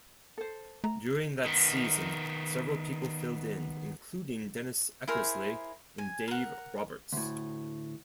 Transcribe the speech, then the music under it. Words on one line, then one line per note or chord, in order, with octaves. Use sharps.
During that season, several people filled in including Dennis Eckersley and Dave Roberts.
A4 C5
A3 A#5
D#3 B3
E4 G#4 A#4 C5
G#5
A#4 F#5
D2 A2